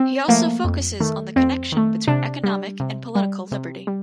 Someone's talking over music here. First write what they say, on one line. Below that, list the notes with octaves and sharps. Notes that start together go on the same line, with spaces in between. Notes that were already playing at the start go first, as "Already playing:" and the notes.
He also focuses on the connection between economic and political liberty.
Already playing: C4
F3 A3 A#3
F2
D#3 A3
F2 C4
D#3 A3
C3 D4
G3
C3
G3
C3
G3